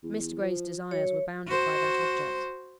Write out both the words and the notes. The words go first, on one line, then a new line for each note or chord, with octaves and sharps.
Mr. Gray's desires were bounded by that object.
E2
F3
F#3 C#5
F#4 C5